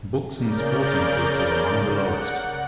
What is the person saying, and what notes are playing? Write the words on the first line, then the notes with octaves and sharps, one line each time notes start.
Books and sporting goods are among the lowest.
C#3 A#4 D5 G6
F#5